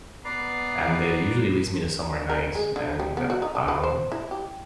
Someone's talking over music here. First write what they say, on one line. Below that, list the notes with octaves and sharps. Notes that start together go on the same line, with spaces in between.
and that usually leads me to somewhere nice, and, um
B3 B4 D5 A#5 C7
A#4
G#3
D3
G3
B3
F#4
D#4
D4
B4
C5
E4
G4